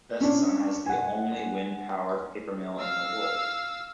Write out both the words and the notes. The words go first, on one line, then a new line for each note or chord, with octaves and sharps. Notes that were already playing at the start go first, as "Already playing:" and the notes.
Westzaan has the only wind powered paper mill in the world.
C#4 D4
F#5 G#5
F5 E6